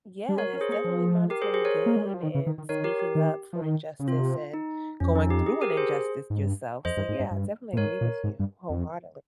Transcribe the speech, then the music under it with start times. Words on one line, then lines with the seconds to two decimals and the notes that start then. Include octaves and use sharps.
Yeah, there's definitely monetary gain in speaking up for injustice and going through an injustice yourself, so, yeah, I definitely agree with you wholeheartedly.
0.29 G3
0.37 G#3 A#4 C#5
0.53 C#4
0.61 G#4 C5
0.69 A#3
0.72 G#4
0.84 F3
1.30 G4 A#4
1.42 G#4 C5
1.54 G#4 C5
1.65 A#4 C#5
1.86 A#3
1.96 G#3
2.05 G3
2.14 F3
2.23 D#3
2.35 C#3
2.46 D#3
2.58 D#3
2.69 D#3 A#4 C#5
2.84 G4 A#4
2.99 G4
3.15 D#3
3.53 F3
3.62 D#3
4.00 C#3
4.07 C3 F4
4.54 D#4
5.00 F2 C#4
5.16 D#4
5.30 G4
5.46 G#4
5.61 G4 A#4
5.77 G#4 C5
6.30 G#2
6.39 G2
6.85 F2 C5 D#5
6.97 G2
7.09 G#2
7.20 G2
7.31 G2
7.73 A#2
7.77 G#2 A#4 C#5
8.01 A#2
8.24 G#2
8.39 G2
8.70 F2